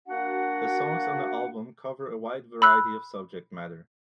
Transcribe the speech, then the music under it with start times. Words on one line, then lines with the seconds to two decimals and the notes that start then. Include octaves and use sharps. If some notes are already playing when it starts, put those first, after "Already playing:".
The songs on the album cover a wide variety of subject matter.
0.09 A#3 D4 F#4 F#5
2.62 B5 E6 F#6